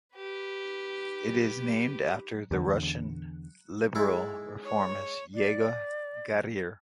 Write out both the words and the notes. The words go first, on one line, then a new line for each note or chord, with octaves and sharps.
It is named after the Russian liberal reformist Yegor Gaidar.
G4 B4
E2 D3
G#3 E4 A4
C#5
D5